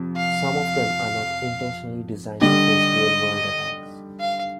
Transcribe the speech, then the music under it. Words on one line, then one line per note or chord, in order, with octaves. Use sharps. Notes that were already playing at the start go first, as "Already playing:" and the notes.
Some of them are not intentionally designed to face real-world attacks.
Already playing: F2 C3
F5
D3 G3 D4 G4 D#5
F5